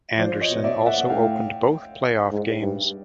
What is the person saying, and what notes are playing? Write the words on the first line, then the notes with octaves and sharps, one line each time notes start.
Anderson also opened both playoff games.
F3 C5 D5
C#5 D#5
B2
D5 E5
A#2
E5 F#5
A2 F5 G5
G#2
G2